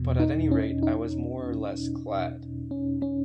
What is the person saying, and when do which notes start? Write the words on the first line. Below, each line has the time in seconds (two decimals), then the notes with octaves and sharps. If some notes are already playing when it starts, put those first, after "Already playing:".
But at any rate I was more or less clad.
Already playing: E2 B2
0.20 D#4
0.51 C#4
0.83 D#4
2.71 C#4
3.02 C#4